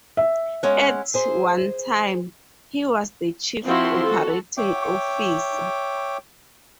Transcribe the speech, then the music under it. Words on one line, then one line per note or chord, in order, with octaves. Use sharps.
At one time, he was the chief operating officer.
E5
G#3 C#4 F#5
G#4 C5
F3 C4 E4 F#4 C6
F#4 A4
C#5 E5 G5 D6